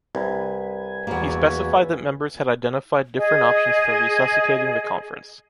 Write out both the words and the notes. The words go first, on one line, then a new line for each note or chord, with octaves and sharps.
He specified that members had identified different options for resuscitating the Conference.
C2 B4 G#5
E2 A#3 F#4
G#4 D#5